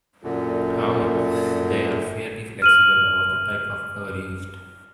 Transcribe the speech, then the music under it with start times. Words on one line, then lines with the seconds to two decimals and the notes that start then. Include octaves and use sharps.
However, they are fairly flexible about the type of cover used.
0.23 F#2 A#2 D3
2.62 F6 D#7 F#7